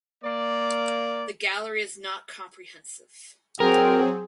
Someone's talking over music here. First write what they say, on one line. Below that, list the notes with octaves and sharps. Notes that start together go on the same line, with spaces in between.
The gallery is not comprehensive.
A#3 D5
F#3 C4 G#4 A#4 G5